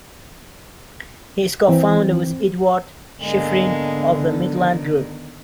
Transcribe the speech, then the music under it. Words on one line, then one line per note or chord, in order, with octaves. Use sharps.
He is co-founder with Eduard Shifrin of the Midland Group.
E3 C4
G#2 D3 G#3 A#3 B3
D#3